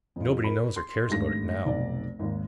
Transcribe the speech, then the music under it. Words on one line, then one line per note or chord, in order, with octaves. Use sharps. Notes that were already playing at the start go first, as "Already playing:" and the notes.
Nobody knows or cares about it now.
F2 F4
A#4 B5
C6
G#1 G2 A3 A#6
F1 B1 D5
G#1 D#2